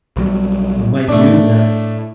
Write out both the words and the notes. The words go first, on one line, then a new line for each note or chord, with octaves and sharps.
You might use that.
B1 F#3 G3
A2 A3 D4